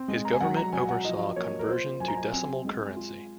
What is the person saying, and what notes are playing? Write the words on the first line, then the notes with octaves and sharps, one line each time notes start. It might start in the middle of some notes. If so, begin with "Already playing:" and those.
His government oversaw conversion to decimal currency.
Already playing: C4
G#3
A#5
G#5
F#3 F#5
A#5
F#3 G#5
F#5
F3 D#5
A#3 C#5
A#4
F4 C5
F#3 G#5
A#5
G#5
C4 G#5
G#3
F4